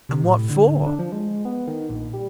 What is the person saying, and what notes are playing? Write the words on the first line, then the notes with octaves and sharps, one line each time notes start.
"And what for?"
C3
A2
D3
D4
F3
G#3
B3
D#3
A#1
G3